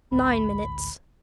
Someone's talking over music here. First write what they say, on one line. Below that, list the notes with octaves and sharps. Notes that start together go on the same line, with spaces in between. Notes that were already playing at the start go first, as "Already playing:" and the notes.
Nine minutes.
A1 D2 G#2 B5